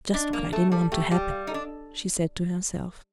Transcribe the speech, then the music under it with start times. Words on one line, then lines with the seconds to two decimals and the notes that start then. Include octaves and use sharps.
"Just what I didn't want to happen!" she said to herself.
0.14 D4 D#5
0.33 A#3 A#4
0.53 A3 A4
0.72 G3 A4
0.92 A3 G4
1.11 G3 G4
1.31 F5
1.47 D#4
1.50 D4 A4